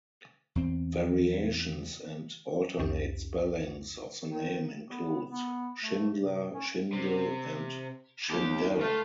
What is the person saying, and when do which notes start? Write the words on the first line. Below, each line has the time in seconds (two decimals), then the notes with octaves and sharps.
Variations and alternate spellings of the name include: Shindler, Schindel, and Schindelle.
0.55 E2 C4
2.78 C2 F2 C#4 G4
4.28 D#3
4.89 B3
5.30 B3
5.83 A3
6.17 C3
6.52 C#4
6.93 C3
8.30 D#2 G4
8.81 A3 F4